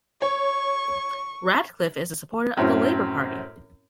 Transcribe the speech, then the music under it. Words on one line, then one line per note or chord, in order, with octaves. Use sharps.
Radcliffe is a supporter of the Labour Party.
C#5 C#6
F#2 A2 C4 C#4 E4